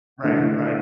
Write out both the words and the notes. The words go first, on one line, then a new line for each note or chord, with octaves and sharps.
Right, right.
D3 A3 E4